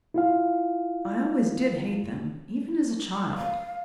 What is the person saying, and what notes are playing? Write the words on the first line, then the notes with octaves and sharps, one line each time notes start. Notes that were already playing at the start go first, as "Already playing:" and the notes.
I always did hate them, even as a child.
E4 F4 F5
F5